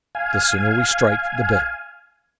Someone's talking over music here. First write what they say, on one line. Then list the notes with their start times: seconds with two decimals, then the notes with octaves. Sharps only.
The sooner we strike the better.
0.15 F5 G#5